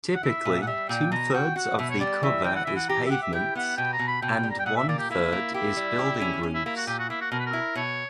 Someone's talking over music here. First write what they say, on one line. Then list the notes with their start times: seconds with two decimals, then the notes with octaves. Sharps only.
Typically two-thirds of the cover is pavements and one-third is building roofs.
0.15 F#5
0.23 E4 E5
0.45 A#2
0.62 F#5
0.67 G3 E5
0.89 A#2 G5
1.12 B2 A#5
1.34 F#4 G5
1.56 F#4 F#5
1.78 B2 E5
1.90 C#5
2.00 G3 D5
2.23 E3 E5
2.44 E3 G5
2.55 F#5
2.65 E3 E5
2.76 F#5
2.89 G4 A#5
3.07 E5
3.11 G4 F#5
3.22 E5
3.33 E4 G5
3.55 B3 F#5
3.77 B2 G5
3.93 A#5
3.99 B2
4.08 B5
4.22 B2 G5
4.43 G3
4.51 A#5
4.59 G5
4.66 A#2 F#5
4.77 E5
4.89 A#3 D5
4.99 G4
5.10 A#3 E4
5.33 A#3
5.54 E4 G4
5.77 G3
5.99 G4
6.21 C#4
6.43 C#4
6.54 E4
6.65 A#3 E4
6.76 F#4
6.87 A#2 G4
6.99 F#4
7.09 A#3 E4
7.21 F#4
7.32 B2 A#4
7.39 B4
7.46 A#4
7.53 E4
7.75 B2 C#5